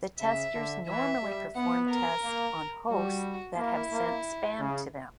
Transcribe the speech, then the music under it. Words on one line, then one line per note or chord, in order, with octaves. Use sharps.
The testers normally perform tests on hosts that have sent spam to them.
C#3 E5
D3
E3 E5
G3
B3 F#5
A#4
A#3
G3 F#4
A#3 E4
A#3
C#3